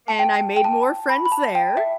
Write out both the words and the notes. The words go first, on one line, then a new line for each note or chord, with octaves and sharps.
And I made more friends there.
A5
G5
G5
A5
B5
B5
A5
G5
E5